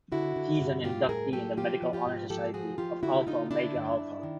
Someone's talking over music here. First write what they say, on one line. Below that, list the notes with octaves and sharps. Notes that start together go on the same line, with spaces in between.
He is an inductee in the medical honor society of Alpha Omega Alpha.
D3 E4 F#4
D3
G2
A2 F4 G4
A2 G#4 A#4
F#3 G4 A4
F3 F4 G4
F3
F4 G4
G#2
F3 G4 A4
F3 F#4 G#4
F3 F4 G4
D3 E4 F#4
D3 D#4 F4
D3 D4 E4
G2
G2
D#3